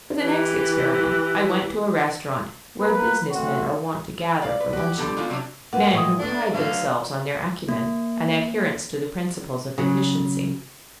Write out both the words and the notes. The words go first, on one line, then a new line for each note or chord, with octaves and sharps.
For the next experiment I went to a restaurant where business men are wont to gather for luncheon, men who pride themselves on their acumen and adherence to the principles of efficiency.
E3 G4
A#3 A#4 B4
A3 C4 F#4
D5 F5
B4
F#4 G4
A#2 D3 B3 G4 A4
A#2 D#3 G#3 B3 F4 F#4
C3 F#3 G3 D4
A#3 B4 F#5
A#2 G#3 A3 G5 C#6 D#6
A3 B3 D4
D3 F#3 B3 F5
A#3
C#3 F#3